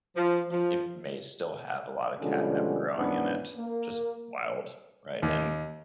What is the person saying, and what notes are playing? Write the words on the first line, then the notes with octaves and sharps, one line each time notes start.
like it may still have a lotta catnip growing in it. Just wild, right, and
F3
F3
B2 D3 F3 G3 G#3 C#4
D#2 G#2 E3 B3 C#4 D4
A#3
D#2